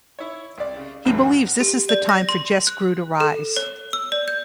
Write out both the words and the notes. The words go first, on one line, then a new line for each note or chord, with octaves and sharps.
He believes this is the time for Jes Grew to rise.
E4 C#5
C2 D5
C#3
C#2 F#2 A2 D3 E3 F#3
F#4
G4
D5
A#6
C6
F#6
A4
C#5
E6
D5
G6